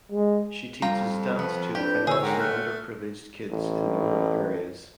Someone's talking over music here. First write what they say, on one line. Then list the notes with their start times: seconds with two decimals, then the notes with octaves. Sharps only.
She teaches dance to the financially under privileged kids in the rural areas.
0.12 G#3
0.82 F2 G3 F4 G5 A#5
1.39 F3 B3
1.75 D4 G4 B4 D5 G6
2.07 D3 E4 G#4 C5 C#5 E6
2.20 G#2 A#4 F#5 G5
2.39 A3 F#5 F6 F#6
3.51 A1